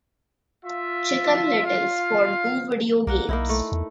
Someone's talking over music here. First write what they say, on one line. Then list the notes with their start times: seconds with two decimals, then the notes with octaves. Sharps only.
"Chicken Little" spawned two video games.
0.65 F4 E5
1.66 F5
3.07 B1 A#3 F#5
3.29 B1 A#3 D#4 E4
3.49 A3
3.72 E2